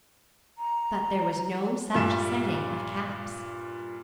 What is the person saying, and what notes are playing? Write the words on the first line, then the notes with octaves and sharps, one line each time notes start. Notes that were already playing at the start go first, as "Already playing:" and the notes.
But there was no such setting of caps.
A#5
G2 A#2 G3 E5 E7